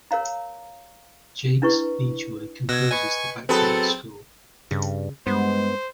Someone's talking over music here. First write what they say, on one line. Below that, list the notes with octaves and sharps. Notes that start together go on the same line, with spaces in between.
Jakes Bejoy composes the background score.
A#4 C#5 F5 A#5
D4 E4 B4 C#6
B2 E6 F#6 G#6 A#6
B4 D#5 G#5 C#6
F#3 B3 C4 G#4 A4 B4
G2 C#3
G2 G#3 B3 C5